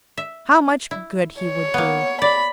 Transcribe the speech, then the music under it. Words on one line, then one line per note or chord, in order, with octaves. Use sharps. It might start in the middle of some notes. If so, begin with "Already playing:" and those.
How much good he would do!
E5
E4
C#5
A#3 B3
D5 B5